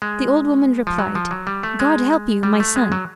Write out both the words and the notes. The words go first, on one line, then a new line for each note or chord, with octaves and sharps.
The old woman replied: "God help you, my son!"
G#3
F3
F#3
F3
F#3
G3
A3
G#3
G3
A3
G#3
F#3